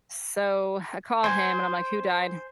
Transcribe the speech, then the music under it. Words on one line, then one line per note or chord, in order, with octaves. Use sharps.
So I call him and I'm like, "Who died?"
C5 G#5